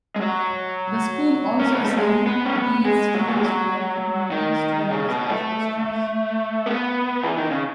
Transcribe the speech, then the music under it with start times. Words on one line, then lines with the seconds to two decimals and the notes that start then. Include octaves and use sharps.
The school also sent these students to work for movie studios as extras.
0.16 G#3
0.21 F#3
1.59 C#4
1.72 B3
1.84 A3
1.97 G#3
2.26 B3
2.45 C#4
2.56 B3
2.85 G#3
3.14 F#3
3.27 A3
3.36 G#3
3.43 F#3
4.31 D#3
4.90 C#3
5.09 B2
5.29 A3
6.66 B3
7.24 E3
7.37 D#3
7.51 C#3